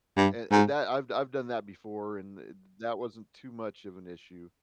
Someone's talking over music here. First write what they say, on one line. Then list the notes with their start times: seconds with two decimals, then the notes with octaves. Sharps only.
and and that I've I've done that before, and th that wasn't too much of an issue.
0.17 G2
0.52 G#2